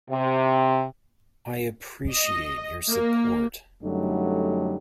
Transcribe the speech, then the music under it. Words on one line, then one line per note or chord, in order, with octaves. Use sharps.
I appreciate your support.
C3
D#5
A#3
F#2 D3 F#3 G3 A3 D#4